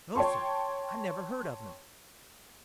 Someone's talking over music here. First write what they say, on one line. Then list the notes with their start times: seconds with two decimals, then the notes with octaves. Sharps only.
"No, sir; I never heard of them."
0.16 C#5 G5 A5 C6 C#6